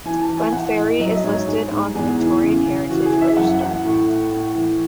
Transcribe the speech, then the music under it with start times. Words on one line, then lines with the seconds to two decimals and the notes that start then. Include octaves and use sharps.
Glenferrie is listed on the Victorian Heritage Register.
0.05 E3 G#5
0.21 A5
0.29 E3
0.37 G#5
0.52 E3 F#5
0.76 A2 D#5
0.99 F#3 D#5
1.09 E5
1.16 D#5
1.24 G#2 C#5
1.47 G#2 G#4
1.72 G#2
1.95 E2 G#4
2.19 E3
2.42 C#3
2.65 C#3
2.90 E3 F#4
3.05 G#4
3.13 E3
3.21 E5
3.37 F#2 F#5
3.61 E3 F#5
3.84 A2
4.08 A2
4.32 A2
4.55 E3